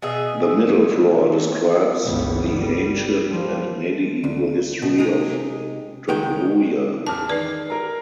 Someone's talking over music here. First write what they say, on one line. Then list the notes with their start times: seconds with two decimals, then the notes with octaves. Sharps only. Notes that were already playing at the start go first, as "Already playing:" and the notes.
The middle floor describes the ancient and medieval history of Dobruja.
0.02 B2 G#4 E5
2.06 G1 C#2 E3 B3
2.55 G3
3.28 F3 G3
4.24 D2
4.82 B2
4.98 C3 G#3 D#4
6.08 C#2 D#3 G#3 F#4 G5
7.07 E2 A5 F6
7.29 D#3 B4 D5 C7
7.70 A#4 A#5